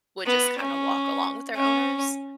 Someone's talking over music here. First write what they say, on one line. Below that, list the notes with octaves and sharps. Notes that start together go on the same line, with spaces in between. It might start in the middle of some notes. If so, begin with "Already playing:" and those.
would just kind of walk along with their owners.
B3
C#4
C#4